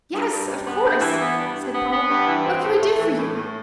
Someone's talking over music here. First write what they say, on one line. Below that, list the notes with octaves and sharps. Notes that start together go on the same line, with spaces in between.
"Yes, of course," said Paula; "What can we do for you?"
G2
G2
G2
B3
G2
E3
B3
G2
G2
B3
B3
G2
E3
C4
A2
A3
E3
A2
A2